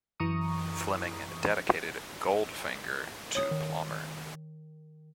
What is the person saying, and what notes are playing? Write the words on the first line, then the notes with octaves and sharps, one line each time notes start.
Fleming dedicated "Goldfinger" to Plomer.
F#2 E3 A#5 C#6 D#6
C#5 D#6
D#3